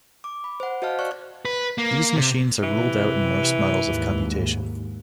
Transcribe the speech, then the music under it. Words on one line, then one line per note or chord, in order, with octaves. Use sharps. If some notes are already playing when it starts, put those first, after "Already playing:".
These machines are ruled out in most models of computation.
D6
B5
C5 F#5
F#4 C5 D#5 F5 A5 F6
D5 C#6 F#6
B4
A#3
C3
C3 E3
D#2 G#2